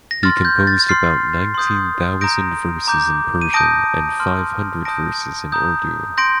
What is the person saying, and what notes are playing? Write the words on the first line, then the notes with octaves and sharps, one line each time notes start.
He composed about nineteen thousands verses in Persian and five hundred verses in Urdu.
A#6
C6 F6 A6
G6
A6
C6 F6 A6 C7
C6 D#6 G6
A#5 D#6 G6 A#6 D7
A#5 D6 G6
D#7
A5 D#6 G6 A#6 D7
A5 C6 F6
A5 D#6 G6 A#6 D7
A#5 D#6 G6
C6 G6 A#6 D7